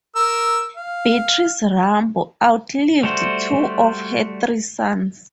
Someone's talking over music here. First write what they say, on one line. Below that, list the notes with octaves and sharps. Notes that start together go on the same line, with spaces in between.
Beatrice Rambo outlived two of her three sons.
A#4 E6
F5
G3 A3 F#4 C5